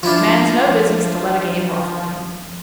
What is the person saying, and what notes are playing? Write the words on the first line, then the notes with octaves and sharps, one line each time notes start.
"A man's no business to let a game ruffle him."
F3 D4 E4 F4